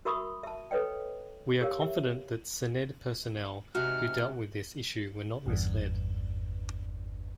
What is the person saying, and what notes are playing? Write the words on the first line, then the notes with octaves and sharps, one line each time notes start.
We are confident that Senedd personnel who dealt with this issue were not misled.
F#4 A#4 E5 B5 C#6 D#6
E5 A5
A4 B4 C#5 D#5 G5
G4 A#4 C#5 F5
E5
G#2 C3 D#3 F#4 F6
G1 E2 G2